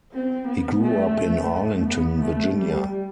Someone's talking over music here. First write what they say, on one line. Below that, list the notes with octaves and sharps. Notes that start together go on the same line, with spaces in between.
He grew up in Arlington, Virginia.
C4
B3
A3
A3
B3
A3
G3